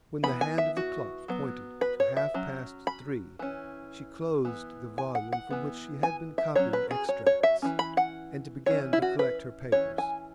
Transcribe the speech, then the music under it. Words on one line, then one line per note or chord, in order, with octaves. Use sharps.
When the hand of the clock pointed to half-past three, she closed the volume from which she had been copying extracts, and began to collect her papers.
E3 B3 B5
G#5
E5
F#4
F#3 B3
B4
C#5
E5
F#3 C#4
B5
E3 C#4
E3 B3
G#5
F#5
F#5
E3 B3
G#5
E5
F#3 C#4 C#5
B4
G#4
C#5
C#5
E5
E3 G#3 C#4
B5
F#5
E3 C#4 C#5
E4
F#4
B4
E3 C#4 C#5
G#5